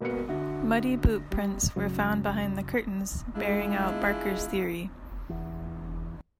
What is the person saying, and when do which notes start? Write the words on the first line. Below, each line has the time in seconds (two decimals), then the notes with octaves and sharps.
Muddy boot-prints were found behind the curtains, bearing out Barker's theory.
0.01 E1 A#3 B3 F#4 C#7
0.28 D3 F#4 E5
1.31 G3
1.76 D1 F#2 C#3 F#3
3.35 G#3 D4 E4 F4
5.29 E2